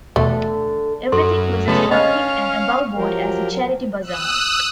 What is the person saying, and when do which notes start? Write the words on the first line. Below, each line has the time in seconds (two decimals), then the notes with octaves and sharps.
Everything was as public and above-board as a charity bazaar.
0.16 E2 B2 D3 A3
1.12 F#2 A4 C6
1.68 C#3 G#3 A3 B3
1.91 C#4 D#5 F5
2.97 F3 F#3 G4 A#4
4.01 D#6 E6 F#6